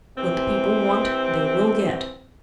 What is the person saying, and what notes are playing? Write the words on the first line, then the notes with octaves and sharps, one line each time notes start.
What the people want they will get.
C3 E3 C4